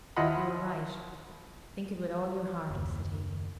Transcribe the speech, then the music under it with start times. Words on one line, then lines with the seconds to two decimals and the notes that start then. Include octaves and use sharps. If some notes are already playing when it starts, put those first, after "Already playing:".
"You are right--think it with all your heart," said he.
0.16 D#2 E4 F4 D#5 F#5 B5
2.70 F#1 D#2